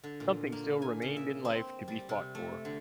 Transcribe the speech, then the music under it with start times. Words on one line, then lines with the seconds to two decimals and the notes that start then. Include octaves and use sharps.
Something still remained in life to be fought for.
0.04 D3
0.20 A#2
0.52 A#3
0.82 G#5
1.02 C#3
1.16 E5
1.45 C4
1.88 G3
2.09 C3
2.35 A3
2.65 D3